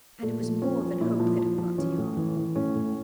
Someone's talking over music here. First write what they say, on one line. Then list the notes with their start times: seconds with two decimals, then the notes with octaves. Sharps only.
And it was more than hope that it brought to Yvonne.
0.23 A#2 A3
0.42 F3
0.61 F3 C#4
0.81 F3
1.01 A#2 E4
1.20 F3
1.39 F3
1.58 F3
1.78 E3 C#4
1.98 A2
2.17 E3
2.37 E3
2.55 A2 C#4
2.75 A2